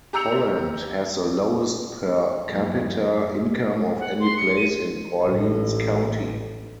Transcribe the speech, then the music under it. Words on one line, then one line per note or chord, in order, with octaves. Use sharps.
Holland has the lowest per capita income of any place in Orleans County.
G4 A#5 E6 C#7 F7
E2 G2 E3 F#3 G#3 A#3
F#2
F#5
C6
C#7
D#7
A1 A2